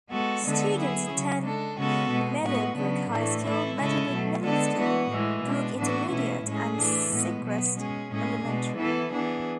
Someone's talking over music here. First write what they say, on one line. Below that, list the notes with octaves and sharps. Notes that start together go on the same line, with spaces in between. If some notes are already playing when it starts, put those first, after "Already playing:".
Students attend Meadowbrook High School, Meadowbrook Middle School, Brook Intermediate and Secrest Elementary.
G#3 B3 F#4 A4
D3 G#3 B3 D4 A4
F#3 B3 E4 G#4
C#3 F#3 C#4
G#3 D4 A4
C#3 G#3 C#4 F#4 A4
B2 G#3 B3
A2 G#3 B3 F#4
C#3 F#3 B3 D4
A2 E3 A3 D4
E3 A3 E4 A4
C#3 G#3 C#4 E4 A4
B2 F#3 A3
D3 G#3 B3 D4 A4
E3 B3 F#4
A2 E3 G#3
B2 G#3 D4
A2 E3 B3 D4 F#4
B2 A3 C#4 E4
A2 G#3 C#4 G#4
E3 A3 D4
A2 G#3 B3
B2 F#3 B3
G#3 C#4 G#4
A2 G#3 C#4 G#4
B2 G#3 D4
E3 B3 E4 A4
E3 B3 D4 G#4